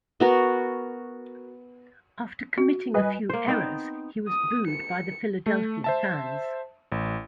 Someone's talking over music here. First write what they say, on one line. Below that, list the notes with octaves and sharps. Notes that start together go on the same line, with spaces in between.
After committing a few errors, he was booed by the Philadelphia fans.
B3 F#4 A#4
F#4
G3 B4 D#5 G#5
A#3 C5
B3 C4 D#4
D#6
C#7
A3
C5 E5 A5
A1